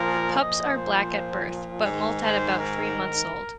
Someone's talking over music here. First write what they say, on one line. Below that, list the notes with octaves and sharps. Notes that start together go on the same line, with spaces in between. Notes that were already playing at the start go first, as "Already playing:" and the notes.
Pups are black at birth, but molt at about three months old.
Already playing: A#2 F3 A#4
A#2 F3 D#5
C5
G#2 D#3
C5
A#4